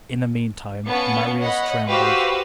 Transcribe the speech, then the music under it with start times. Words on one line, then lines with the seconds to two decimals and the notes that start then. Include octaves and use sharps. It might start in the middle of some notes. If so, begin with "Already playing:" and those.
In the meantime, Marius trembled.
0.88 B3 C#4 C#5 F5 A5 C#7
1.39 C#5 D#5 F#5 B5
1.88 F#4 G4 B4 C5 F5 E6